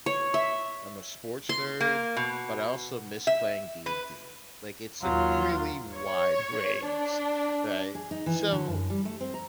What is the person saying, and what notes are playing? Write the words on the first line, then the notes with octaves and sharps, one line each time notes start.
I'm a sports nerd, but I also miss playing D&D, like, it's a really wide range, right? So
C#5
E5
C6
A#3
B2
E5
B4
D#2 F#3 F4
C#5
D4
G#4
D#4
E3
D3
F#2
G3
A3
C4
A#5